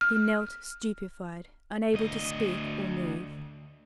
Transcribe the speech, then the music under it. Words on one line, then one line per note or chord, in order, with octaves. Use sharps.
He knelt, stupefied, unable to speak or move.
F6
D2 D#5